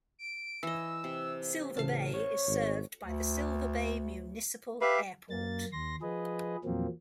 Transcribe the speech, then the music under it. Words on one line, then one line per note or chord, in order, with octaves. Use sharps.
Silver Bay is served by the Silver Bay Municipal Airport.
D7
E3 D#5 E6
C3
A1 C#3 F5 A5
C#5
G#1
D2
G4 B4 E5 F5
F#2 A#3 A6
D#2 C6 A#6
F3 G#4 B4 D#5
E2 A#2 F3 F#3 A#3 C4